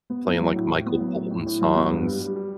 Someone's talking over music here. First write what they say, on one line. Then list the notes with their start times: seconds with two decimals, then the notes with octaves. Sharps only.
playing, like, Michael Bolton songs.
0.10 B3
0.25 A2
0.40 F#3
0.56 A2
0.70 A2
0.86 B3
1.01 F#3
1.16 A2
1.31 A2
1.46 A2
1.61 F#3
1.76 B3
1.91 G2
2.06 G3
2.20 G3
2.36 G3